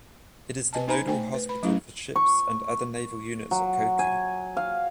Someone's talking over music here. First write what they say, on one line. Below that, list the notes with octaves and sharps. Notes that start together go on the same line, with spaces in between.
It is the nodal hospital for ships and other naval units at Kochi.
B4 D#5 G#5 A5
B3 D#4 C5 G#5 A#5 B5
A3 C5 G5 G#5
B4
B4 B5
F#3 A3 C#4 E4 G4 F5
C#6
F#3
G#5
F5